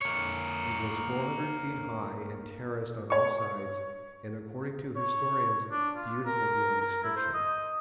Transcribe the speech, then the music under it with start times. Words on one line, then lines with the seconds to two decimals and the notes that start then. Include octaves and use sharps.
It was four hundred feet high and terraced on all sides and according to historians beautiful beyond description.
0.01 A#3 C#5
3.10 C#5 C#6
4.96 C#5
5.71 D4
5.96 F4
6.26 A#4
6.81 A#4
7.03 E4
7.16 C5
7.33 D#5